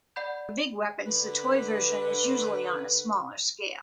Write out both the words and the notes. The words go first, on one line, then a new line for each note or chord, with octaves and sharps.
For big weapons, the toy version is usually on a smaller scale.
D5 F#5 B5 G6
D3 B4